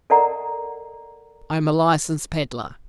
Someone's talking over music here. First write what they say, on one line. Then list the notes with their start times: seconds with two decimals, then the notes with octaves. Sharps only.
I am a licensed peddler.
0.10 A4 A#4 D5 D#5 F#5 A#5